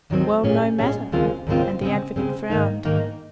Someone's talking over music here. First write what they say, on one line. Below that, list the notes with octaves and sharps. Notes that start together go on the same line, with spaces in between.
"Well, no matter," and the advocate frowned.
D#2 D#3 F#3 C4
A#2 G#3 C#4 G#4
A#2 G#3 C#4 G#4
D#2 C#3 G#3 C4 F4
D#2 C#3 G#3 C4 F4
C#3 G#3 C4
C#3 G#3 C4
G#2 D#3 A#3 D#4
G#2 D#3 A#3 D#4